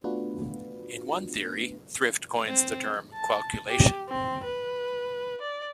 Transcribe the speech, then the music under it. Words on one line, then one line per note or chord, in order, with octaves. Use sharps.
In one theory, Thrift coins the term qualculation.
A3 B3 D4 F4 F#4 B4
C4
A5
G4
C4
B4
D5